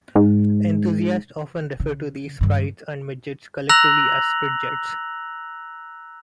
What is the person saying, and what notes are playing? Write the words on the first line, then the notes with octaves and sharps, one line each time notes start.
Enthusiasts often refer to these later Sprites and Midgets collectively as Spridgets.
G#2
C#3
G2 D#3
A#5 E6 F#6 A#6 F7 F#7